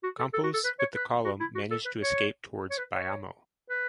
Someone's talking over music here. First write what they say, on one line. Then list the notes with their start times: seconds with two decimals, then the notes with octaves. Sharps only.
Campos with the column managed to escape towards Bayamo.
0.03 F#4
0.19 A4
0.33 A4
0.43 F#4
0.53 A4
0.64 B4
0.79 C#5
0.94 B4
1.24 F#4
1.40 E4
1.55 F#4
1.71 A4
1.85 B4
2.01 C#5
2.70 C#5
2.78 B4
2.93 C#5
3.70 B4